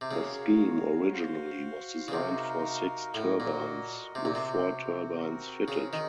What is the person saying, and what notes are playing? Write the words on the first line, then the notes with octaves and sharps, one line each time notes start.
The scheme originally was designed for six turbines, with four turbines fitted.
C3
C#3 F#4 A#4 C#5 F5
F#4 C5 F5
C#3
C3 D#4 F#4 A#4 F5
A2 F#4 A#4 D#5
A#2
C3 C4 F#4 C5
A#2
C3
C4 F#4 A#4
C#3
D#3